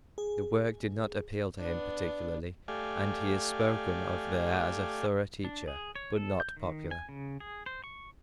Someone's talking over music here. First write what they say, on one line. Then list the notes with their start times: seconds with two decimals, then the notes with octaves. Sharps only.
The work did not appeal to him particularly and he is spoken of there as a thorough teacher, but not popular.
0.18 G#4
1.59 B3 D4
2.68 A3 G4 D5 F5 G#5
5.45 D4
5.68 G#4
5.96 C#5
6.16 A4
6.40 G6
6.57 D#3
6.91 G#5
7.09 C#3
7.40 G#4
7.66 C5
7.84 C#6